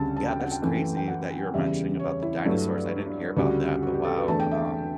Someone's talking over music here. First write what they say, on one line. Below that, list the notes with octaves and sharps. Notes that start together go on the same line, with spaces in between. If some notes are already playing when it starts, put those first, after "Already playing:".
yeah, that's crazy that you're mentioning about the dinosaurs, I didn't hear about that, but wow, um,
Already playing: D2 C#3 G3 A5
A5
G5
F#5
G5
F#2 E3 A3
G5
F#5
E2 C#3 G3 E5
C#5
E4
G2 F#3 A3
D2 C#3 G3 F#4
F#4
G4
A4
B4
E2 D3 A3 A5
G5
E5